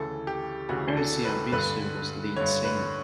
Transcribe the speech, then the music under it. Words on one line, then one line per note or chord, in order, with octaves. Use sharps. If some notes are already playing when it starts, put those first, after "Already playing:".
Ersi Arvisu was lead singer.
Already playing: D2 C#3 E3 A4
G4
D2 C#3 E3 F#4
A4
B4
G2 D3 B4
G2 D3 C#5
B4